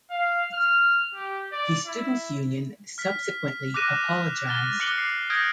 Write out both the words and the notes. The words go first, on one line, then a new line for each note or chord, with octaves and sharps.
The Students' Union subsequently apologized.
F5
F6
G4
D5
E4
F6 B6
D6 F6 F#6 A#6 D#7 E7
F6 A6 G7
D6 F#6 C#7 D7 F#7 G7
C7
D#6 F6 G6 G#6 A#6 D7